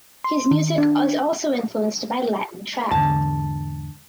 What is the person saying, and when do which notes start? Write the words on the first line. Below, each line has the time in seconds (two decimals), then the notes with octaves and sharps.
His music is also influenced by Latin trap.
0.24 C6
0.51 D#3
0.78 D4
2.91 E2 G#2 D3 A5